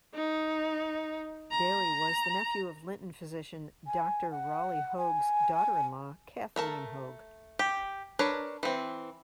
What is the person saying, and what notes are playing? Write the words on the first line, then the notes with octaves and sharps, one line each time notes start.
Daly was the nephew of Linton physician Doctor Rolly Hogue's daughter-in-law Kathleen Hogue.
D#4
A#5
G#5
F#5
G#5
A3 A#4 A5
G4
D4 A#4 B4 C#5
E3 C4